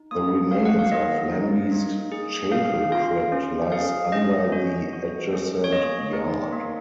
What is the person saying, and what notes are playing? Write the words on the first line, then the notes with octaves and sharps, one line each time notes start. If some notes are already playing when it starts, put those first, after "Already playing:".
The remains of 'Lambe's Chapel Crypt', lies under the adjacent yard.
Already playing: D#4
A#3 D#6
F#4 F5
F#5
F5
A#3 D#5
D#4
A#3
G#4
C#4 F5
F4 F5
C#4
G#4 F5
C#4 D#5
F#4
F#4
C#4
C#5
A#3 D#5
D#4
A#3